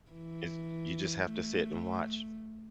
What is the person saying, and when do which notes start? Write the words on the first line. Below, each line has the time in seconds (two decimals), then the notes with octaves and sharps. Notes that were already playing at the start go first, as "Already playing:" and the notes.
It's j you just have to sit and watch.
0.11 E3
1.24 A3